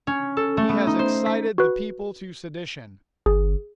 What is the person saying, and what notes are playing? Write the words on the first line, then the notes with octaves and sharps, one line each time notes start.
He has excited the people to sedition.
C#4
A4
A3
B3
D#4
C5
B6
F#4 B4
G1 G#4